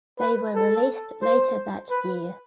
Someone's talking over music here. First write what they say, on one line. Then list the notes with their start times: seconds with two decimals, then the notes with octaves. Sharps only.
They were released later that year.
0.19 B4
0.55 A4
1.22 C5
1.90 B4